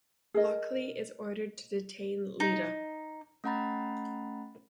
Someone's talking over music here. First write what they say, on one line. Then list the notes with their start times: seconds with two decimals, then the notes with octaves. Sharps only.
Lochley is ordered to detain Lyta.
0.34 G#4 A#4 D#5
2.40 D#4
3.44 A3 C#4 F#5 A#5 B5 A6